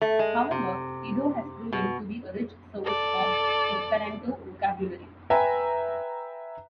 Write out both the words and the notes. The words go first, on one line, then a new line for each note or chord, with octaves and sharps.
However, Ido has proven to be a rich source of Esperanto vocabulary.
A3
G#3
C3
B2
A4 D5
B4 E5 G5 G#5 A#5